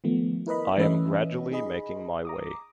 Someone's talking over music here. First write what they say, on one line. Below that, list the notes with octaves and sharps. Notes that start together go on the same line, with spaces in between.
I am gradually making my way.
D#3 F3 A3 B3
E4 A#4 B4 D#5 B5
E3 A3 C#4 B4 D#5 E5
D#4 G#4 D#5 B5
A#5 D6 D#6